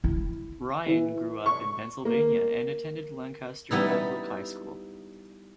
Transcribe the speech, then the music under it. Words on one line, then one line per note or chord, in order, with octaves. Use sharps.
Ryan grew up in Pennsylvania and attended Lancaster Catholic High School.
E4
E3
C#6
A#3
G3 B3 D#4 E4